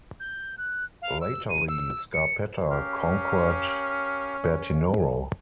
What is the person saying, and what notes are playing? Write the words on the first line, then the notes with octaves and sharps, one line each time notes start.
Laterly, Scarpetta conquered Bertinoro.
G6
F#6
F5
E6
D#7
E6
C#7
C#4 G4 A#4 F5